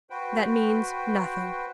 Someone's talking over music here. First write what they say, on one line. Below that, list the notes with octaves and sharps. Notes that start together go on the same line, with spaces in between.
That means nothing.
F#4 B4 C5 G5